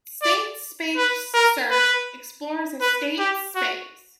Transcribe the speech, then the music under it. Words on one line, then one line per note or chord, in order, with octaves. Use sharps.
State space search explores a state space.
D5
B4
A#4
B4
B4
G4
F#4